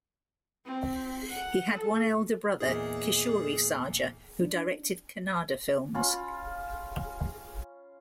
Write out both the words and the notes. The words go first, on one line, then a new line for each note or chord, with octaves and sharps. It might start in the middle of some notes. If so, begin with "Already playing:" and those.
He had one elder brother Kishore Sarja, who directed Kannada films.
C4
F#5
A4
E2 A#2 D#4 G#4
D4
C#4 F4 B5